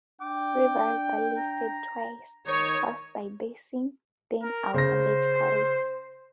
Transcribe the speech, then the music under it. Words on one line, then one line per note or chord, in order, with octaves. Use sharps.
Rivers are listed twice, first by basin, then alphabetically.
D4 G5 D6
A#5
D#3 D#4 C#5
A#4
C#3 C5 A#6